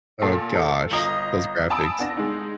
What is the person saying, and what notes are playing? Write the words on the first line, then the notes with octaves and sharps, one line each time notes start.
Oh gosh, those graphics.
A#2 A4
A4
G1 F4 D#5 A#5
G#5 A5 B5 D#6 E6 D7
B3 D4 A#6
G#3 D#4